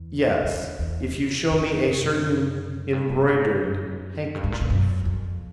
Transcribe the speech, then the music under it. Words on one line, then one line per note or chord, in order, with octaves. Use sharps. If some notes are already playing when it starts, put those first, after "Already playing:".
"Yes, if you show me a certain embroidered handkerchief."
Already playing: E2
E2
E2
F2
F#2
G2
G#2
F#2
G2
G#2
A#2
B2
F#2
F2